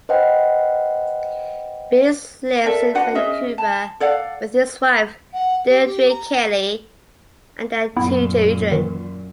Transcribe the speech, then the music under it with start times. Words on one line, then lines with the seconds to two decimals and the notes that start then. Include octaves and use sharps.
Beers lives in Vancouver with his wife Deirdre Kelly, and their two children.
0.09 B4 C5 D#5 F#5 G5
2.66 A4 A#4 D5 E5
2.95 D4 F#4 B4 F#5
3.15 C#4 G#4 D#5 E5
3.58 A5
4.00 A4 D5 F5 F#5
5.34 F#5
5.68 G4
5.86 G4
6.10 A#5
7.96 F#2 A#2 B3 E4
8.72 D#3 E3